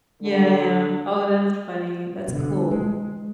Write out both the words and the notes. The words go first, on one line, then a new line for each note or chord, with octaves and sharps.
Yeah, yeah. Oh, that's funny. That's cool.
D3
B2 D3
G#3